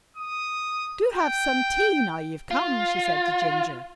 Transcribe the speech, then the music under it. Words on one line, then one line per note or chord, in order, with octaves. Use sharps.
"Do have some tea now you've come," she said to Ginger.
D#6
G5
F4